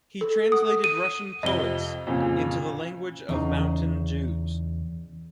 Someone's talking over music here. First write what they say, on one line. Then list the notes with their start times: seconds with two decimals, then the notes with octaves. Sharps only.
He translated Russian poets into the language of Mountain Jews.
0.21 A4
0.52 F#5 D#6
0.84 D#7
1.43 F2 C3 D#5 G7
2.07 F2 A#2 C#3
3.29 E2 C#3 D#4